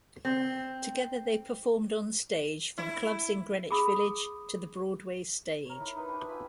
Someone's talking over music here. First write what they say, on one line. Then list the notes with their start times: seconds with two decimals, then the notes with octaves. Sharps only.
Together they performed onstage from clubs in Greenwich Village to the Broadway stage.
0.25 C4
2.78 E4
3.71 G#4 B5 D#6
5.65 A#4 C#5
5.80 D#4 E4 C#5
5.96 D#4 B4 C5
6.08 D4 G4
6.28 F4 E5 G#5 B5